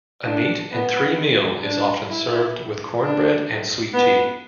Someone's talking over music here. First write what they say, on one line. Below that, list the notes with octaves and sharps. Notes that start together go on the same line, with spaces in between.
A meat-and-three meal is often served with cornbread and sweet tea.
D4
B3
D4
E4
D4
B3